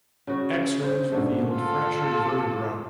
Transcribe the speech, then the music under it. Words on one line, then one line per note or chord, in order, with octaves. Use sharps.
X-rays revealed fractured vertebra.
C#3 F#4 C#5
C#3 C5
G#2 D3 A3
F4 A4